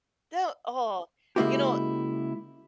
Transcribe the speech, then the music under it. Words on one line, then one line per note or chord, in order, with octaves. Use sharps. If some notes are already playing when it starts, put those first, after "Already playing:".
the oh, you know,
C#3 G#3 A#3 E4 F#4 G4